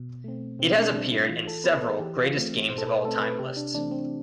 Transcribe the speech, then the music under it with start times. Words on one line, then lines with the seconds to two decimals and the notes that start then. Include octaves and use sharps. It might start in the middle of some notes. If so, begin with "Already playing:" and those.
It has appeared in several "greatest games of all time" lists.
Already playing: B2
0.24 A3 C4
0.59 B2 C4
0.77 D4
0.94 G3 C4 D4
1.12 E4
1.29 E3 F4
1.48 A4
1.64 B3 B4
1.81 A4
1.99 E3 G4
2.23 F4
2.34 A3 C4
2.69 B2 C5
2.78 A4
2.87 B4
3.04 A3 C4 A4
3.21 B4
3.39 C3 G4
3.57 D4
3.74 E3 A3 C4 D4
3.91 C4